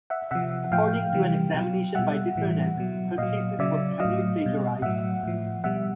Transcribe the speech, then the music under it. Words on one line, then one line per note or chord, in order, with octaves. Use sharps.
According to an examination by Dissernet, her thesis was heavily plagiarised.
E5 F#5
C3 F3 E5 F#5
A2 F3 F5 G5
C3 E3 G3
B2 F#3
B2 G3 E5 F#5
A2 E3 G3
B2 F#3
A#2 F#3 D#5 F5
C#3 F#3 D5 E5
F#3 D#5 F5
A2
B2 G3
A2 F#3 E5 F#5
A2 F3
B2 G3 E5 F#5